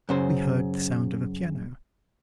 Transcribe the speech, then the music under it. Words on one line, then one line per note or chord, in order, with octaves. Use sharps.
We heard the sound of a piano.
F#2 C#3 C5